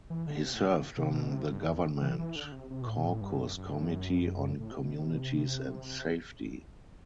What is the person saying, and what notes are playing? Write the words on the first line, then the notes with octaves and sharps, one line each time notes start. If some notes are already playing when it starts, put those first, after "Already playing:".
He served on the Government Caucus Committee on Communities and Safety.
E3
D3
C3
A2
B2
C3
B2
C3
G2
E2
E3
E3
D3
C3
C3
B2
A2
B2
A2
G2
F#2
F#2
G2
F#2
A2
C3
B2
C3
B2
C3